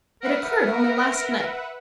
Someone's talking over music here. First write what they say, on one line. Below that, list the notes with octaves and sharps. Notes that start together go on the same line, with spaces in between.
It occurred only last night.
A#4 B4 E5 F#5